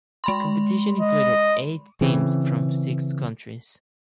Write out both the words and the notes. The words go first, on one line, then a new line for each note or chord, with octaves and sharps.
Competition included eight teams from six countries.
G#3 B5 C6
D#5
C#3 E3 C4